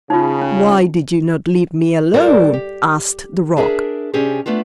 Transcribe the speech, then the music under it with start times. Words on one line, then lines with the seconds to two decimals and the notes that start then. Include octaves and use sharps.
'Why did you not leave me alone?' asked the rock.
0.10 C#3 D#4 F4
0.42 C#4
2.14 G3 F#4 A4 A#4 C5 D5
2.54 G4
3.57 D4 G#4 A#4 E5
4.13 C3 C#4 D4 G4 G#4
4.46 A3 B3 D4 F4